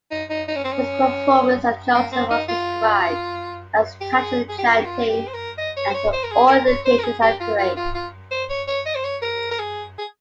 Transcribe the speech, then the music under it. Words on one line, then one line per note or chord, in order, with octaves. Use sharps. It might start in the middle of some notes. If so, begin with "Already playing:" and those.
His performance as Jolson was described as "touching, enchanting, and to all indications, accurate".
D#4
D#4
D#4
C#4
C4
C#4
A#3
C4
D#4
F4
G4
G#4
G#4
G4
F4
G4
F4
G4
C5
A#4
D#5
C#5
C5
C#5
C5
A#4
G#4
A#4
C#5
C5
A#4
G#4
G4
F4
F4
F4
F4
C5
C#5
C#5
D#5
C5
C#5
A#4
A#4
G#4
G#4